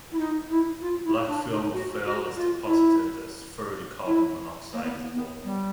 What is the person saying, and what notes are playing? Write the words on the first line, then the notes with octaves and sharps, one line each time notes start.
A black film of FeI is deposited as further carbon monoxide is evolved.
E4
D#4
E4
F4
E4
D4
D#4
F#4
F#4
F4
E4
E4
A#3
B3
B3
G3